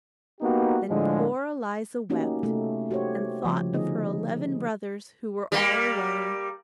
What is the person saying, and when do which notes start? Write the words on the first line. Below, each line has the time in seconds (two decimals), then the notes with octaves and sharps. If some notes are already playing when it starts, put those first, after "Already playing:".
Then poor Eliza wept, and thought of her eleven brothers who were all away.
0.41 A#3 B3 D#4 F#4 G4
0.89 A2 D3 F3 G#3
2.09 A3 A#3 C#4 D#4 F#4 G4
2.43 C3 A3 A4
2.91 F#4 G4 C5 C#5
3.44 C#3 F3 G3
3.73 D3 A3 B3 D#4 G#4 D#5
5.52 G3 A#3